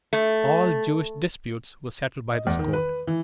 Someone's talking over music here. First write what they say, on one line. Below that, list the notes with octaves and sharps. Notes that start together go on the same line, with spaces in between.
All Jewish disputes were settled by this court.
A3
D#5
E2
D#3
B4
E3